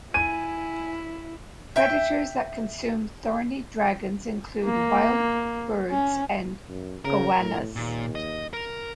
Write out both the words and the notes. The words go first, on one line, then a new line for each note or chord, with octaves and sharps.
Predators that consume thorny dragons include wild birds and goannas.
E4 G#5 D#7
E5 G5
A#3
C#4
F#2
C#3 A#4
A2
D#2 A#2
D#5
A#4